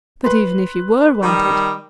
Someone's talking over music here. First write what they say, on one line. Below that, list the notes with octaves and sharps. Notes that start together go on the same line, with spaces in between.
"But even if you were wanted--?"
B4 C6
D#3 G3